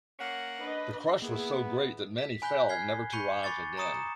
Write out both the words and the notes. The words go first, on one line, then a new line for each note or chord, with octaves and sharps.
The crush was so great that many fell never to rise again.
A#3 C#4 F#5
D4 B4 D#5
A#3 B3 E4 G#4
B6
G#5 B5 F#6 G6 B6 G7
F6 G#6 C7 G7
B5 C#6 G6 C#7 D#7 G7
B5 C#6 D6 A6 G7
A#5 C#6 D#6 C#7 E7